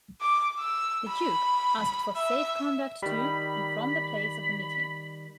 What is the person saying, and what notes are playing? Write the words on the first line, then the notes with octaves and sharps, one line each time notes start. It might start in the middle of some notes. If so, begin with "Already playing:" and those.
The duke asked for safe-conduct to and from the place of meeting.
D6
E6
B5
E5
D#3 G3 B5